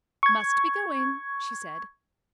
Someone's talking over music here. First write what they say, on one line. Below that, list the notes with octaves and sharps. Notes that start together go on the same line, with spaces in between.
"Must be going," she said.
C#6 G#6